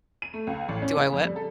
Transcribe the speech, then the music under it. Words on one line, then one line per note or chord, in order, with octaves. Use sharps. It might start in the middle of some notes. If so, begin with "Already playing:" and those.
Do I what?
D#7
A3
C#2
A1
C#4
C#3
F2
G3
A4